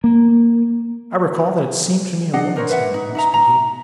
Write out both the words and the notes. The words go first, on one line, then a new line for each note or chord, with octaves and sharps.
I recall that it seemed to me a woman's hand must be here.
A#3
D4 G#4 D#5 F#5
D4 A#4 C5 C#5
B4 E5 F#5
D#4
D#4 E5 A#5
A#5